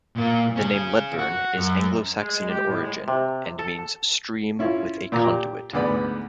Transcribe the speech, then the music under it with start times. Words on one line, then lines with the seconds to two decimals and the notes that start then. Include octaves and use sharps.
The name Ledburn is Anglo Saxon in origin, and means "stream with a conduit".
0.16 A#2 F4
0.56 C#4 G#4
1.19 F#4
1.57 F#2
2.18 G#3
2.49 G4
2.66 A2
2.81 G#3
3.08 C3
3.59 A4
4.59 C#4 E4 F4
5.12 A#2 F4 A#5 D6
5.24 G4
5.73 D2 G#2 B3 D5 B5